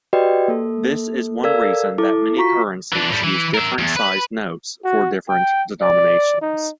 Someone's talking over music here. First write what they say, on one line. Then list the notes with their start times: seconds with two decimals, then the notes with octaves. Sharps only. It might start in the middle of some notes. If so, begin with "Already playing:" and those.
This is one reason that many currencies use different sized notes for different denominations.
0.13 F#4 G4 B4 D5 D#5 G5
0.48 A#3 A4
1.44 A4 A#4 D5 F5 E6 G#6
1.98 E4 A4 D6
2.37 F4 F#4 A#5 C#6 B6
2.92 E3 D4
3.10 A2 G3
3.24 E3
3.54 A#4 E5
3.78 E2
3.96 B4
4.84 F#4
5.29 G5
5.81 D5
6.42 D#4